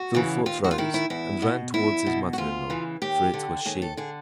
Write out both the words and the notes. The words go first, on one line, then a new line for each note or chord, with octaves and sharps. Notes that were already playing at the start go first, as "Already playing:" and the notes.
Villefort rose, and ran towards his mother-in-law, for it was she.
Already playing: F#4
C#3 E3
D#2 F4
F#4
F4
D#3 E4
E4
E2 E4
B2
E2 E4
B2
F#4
D2 F4
C#3 E3
D#2 G4
D3
D#2 G#4
A4
D3 G#4